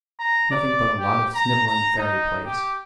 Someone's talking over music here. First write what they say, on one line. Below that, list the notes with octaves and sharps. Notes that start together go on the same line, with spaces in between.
Nothing but a lot of snivelling fairy plays.
A#5
D5
G4
A#5
A#5
D#4
G4